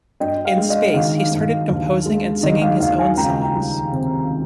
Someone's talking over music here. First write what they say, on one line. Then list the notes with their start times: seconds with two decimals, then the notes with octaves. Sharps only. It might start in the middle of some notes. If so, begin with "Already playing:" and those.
In space, he started composing and singing his own songs.
0.20 G2 D#5 G5
0.45 F5
0.57 G#3
0.70 D#5
0.94 D#3 F5
1.32 G2
1.69 D#2
2.06 G#3
2.43 D#3 D#5
2.61 F5
2.80 D#2 F5
2.98 F5 G#5
3.17 C#2 G5 A#5
3.54 G3
3.92 C3